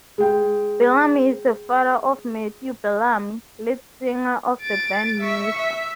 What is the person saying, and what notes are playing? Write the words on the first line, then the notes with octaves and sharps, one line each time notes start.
Bellamy is the father of Matthew Bellamy, lead singer of the band Muse.
G#3 G5
A6 D7
E5 C#6
E5